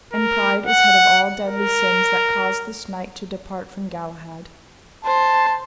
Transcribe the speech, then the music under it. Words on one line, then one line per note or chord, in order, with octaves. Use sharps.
And pride is head of all deadly sins, that caused this knight to depart from Galahad.
A#4
F#5
A#4
C5 A5